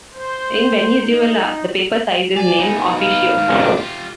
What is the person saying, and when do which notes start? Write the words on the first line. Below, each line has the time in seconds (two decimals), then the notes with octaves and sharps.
In Venezuela, the paper size is named "oficio".
0.14 C5
1.02 D#4
2.36 D5 G#5
2.59 B3 D#4
3.00 F5
3.37 G#2 D#3
3.59 D4
3.77 F4 G4